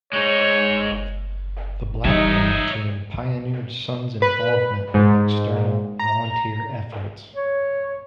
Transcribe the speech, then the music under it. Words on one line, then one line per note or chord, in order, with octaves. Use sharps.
The Blackdown team pioneered Sun's involvement with external, volunteer efforts.
G#3 D#4 C#5
E3 G3 D#4 C#5 E5
B4
G#2
A#5
C#5